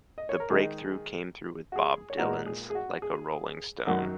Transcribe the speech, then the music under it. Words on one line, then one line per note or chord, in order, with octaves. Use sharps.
The breakthrough came with Bob Dylan's "Like a Rolling Stone".
D#5
C#5
A#4
D#3 G#3 D#4 G#4
F#4
G#4
C#5
A#2 G#3 D#4 F#4 A#4
G#4
G#4
F#4
G#4
F#2 D#3 F#3 D#4 F#4